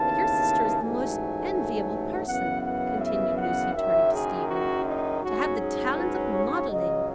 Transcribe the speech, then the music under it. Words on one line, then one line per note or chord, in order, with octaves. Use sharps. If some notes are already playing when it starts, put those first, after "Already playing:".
But your sister is the most enviable person," continued Lucy, turning to Stephen, "to have the talent of modelling.
Already playing: D#2 C#3 E3 B3 A5
A1 G#2 F#3 A3 G#5
F#2 C#3 E3 B3 F#5
F#5
E5
F#5
F#1 F#2 D#3 E5
G#4
F#4
D#4
G#2 F#3 C#4 F#4
G#4
B4
C#5
C#2 C#3 F#3 D#5